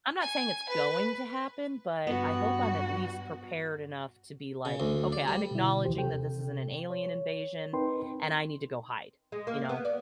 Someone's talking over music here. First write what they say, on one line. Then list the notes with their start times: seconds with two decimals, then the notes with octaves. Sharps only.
I'm not saying it's going to happen, but I hope I'm at least prepared enough to be like, "Okay, I'm acknowledging that this is an an alien invasion, and I need to go hide," you know,
0.21 G#5
0.69 B4
2.07 G2 B3 F#4
4.65 C#3
4.80 D2
5.12 D5
5.28 G3
5.51 B2 D3 E4
5.85 D#2 E3 G4 C5
5.97 C3 A4 G5
6.90 C#5
7.73 C4 D#4 A#4 B4 G5 C6
9.32 G#3
9.47 A#3
9.69 B3
9.85 D5